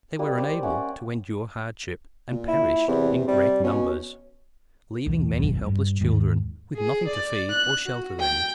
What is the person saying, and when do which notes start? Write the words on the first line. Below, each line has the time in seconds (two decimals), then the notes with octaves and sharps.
They were unable to endure hardships, and perished in great numbers, leaving many helpless children, with nothing to feed or shelter them.
0.19 G3 A#3 B4 D#5
0.38 C5 D5
0.63 C#4 D5 E5 F#5
2.31 A#2
2.48 E4
2.88 E2 C3
3.28 C3 G3
3.64 B2 C#4
5.06 B1 E2
5.38 D1 G#1 F#2 B2
5.66 G2
6.01 D#2 G#2
6.77 G#4
7.08 D5
7.50 F#6
7.86 F#4
8.20 G5